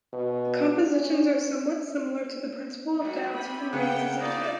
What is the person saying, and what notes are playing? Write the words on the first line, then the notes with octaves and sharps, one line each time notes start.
The compositions are somewhat similar to "The Principle of Doubt" and "Dances of Death".
B2
C#4
F#2 A#2 F#4
C3 B5
C#3 A#3 B3 F#5 G5
D4 D#4 F4 D5